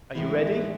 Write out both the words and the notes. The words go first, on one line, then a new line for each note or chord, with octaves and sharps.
"Are you ready?"
A2 E3 G#3 B3 E4